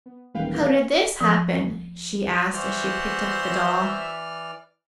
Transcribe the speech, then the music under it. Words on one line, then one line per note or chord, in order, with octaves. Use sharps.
"How did this happen?" she asked as she picked up the doll.
B3
D#1 E3 G#3 B4 F5 G5
F3
E3 F#4 C5 D5 E5 F6